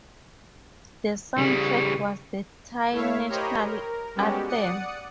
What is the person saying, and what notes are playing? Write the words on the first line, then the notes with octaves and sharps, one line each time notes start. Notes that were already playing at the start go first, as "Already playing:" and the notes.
The soundtrack was the Thai national anthem.
C#3 G3
A3 E4 C#5 E5 F5
G4 A#4 C5 C#5 D#5 B5
A#4
G3 G#3 B3 C#4 F#4 G4
D5 F#5 D#6 C#7